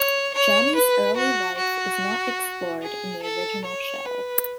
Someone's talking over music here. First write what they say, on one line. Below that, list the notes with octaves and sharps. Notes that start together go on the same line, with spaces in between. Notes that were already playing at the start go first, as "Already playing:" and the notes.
Johnny's early life is not explored in the original show.
Already playing: C#5
C#5
B4
F#4
F#4
G#4
A4
C#5
B4